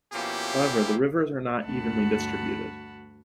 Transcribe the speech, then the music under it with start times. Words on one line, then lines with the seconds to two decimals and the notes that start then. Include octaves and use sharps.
However, the rivers are not evenly distributed.
0.13 B2 F3 A#3 C#4 E4 G4
1.63 D2 G2 F#4 F#5 A5 B5